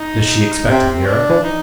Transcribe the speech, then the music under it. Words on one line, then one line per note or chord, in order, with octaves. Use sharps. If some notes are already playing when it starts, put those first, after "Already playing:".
Does she expect a miracle?
Already playing: D#4
C3 C4
D4
D#4